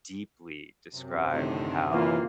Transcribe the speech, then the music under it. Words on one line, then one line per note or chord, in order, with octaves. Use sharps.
deeply described how,
F#2 C3
A2 D3 D#3 C4
E3 A#3 F4